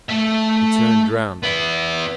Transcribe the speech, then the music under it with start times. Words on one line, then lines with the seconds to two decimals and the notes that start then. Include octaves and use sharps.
He turned round.
0.09 A3 E5
1.43 B3 E4